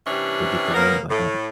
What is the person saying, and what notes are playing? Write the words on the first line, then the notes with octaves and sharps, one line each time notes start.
they get the win. But, um,
C3 E3 G3 C#4 D4
A#3 B3 C#4 A#4
A2